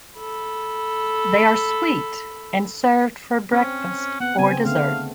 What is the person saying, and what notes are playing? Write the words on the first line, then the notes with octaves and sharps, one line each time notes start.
They are sweet and served for breakfast or dessert.
A4 B5
C4 C#4
B3 F#5
C#3 B3 C4 G#5
D3 A3 B3 F5